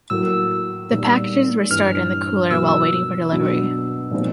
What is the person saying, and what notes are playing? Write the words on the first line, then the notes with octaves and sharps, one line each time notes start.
The packages were stored in the cooler while waiting for delivery.
A2 F#3 A#3 E6
A#2 G3 B3 D#4
G2 E3 G3 F6
B2 F#3 A#3 E6
B2 F#3 B3 D4
A#2 F3 G#3 C4 D#4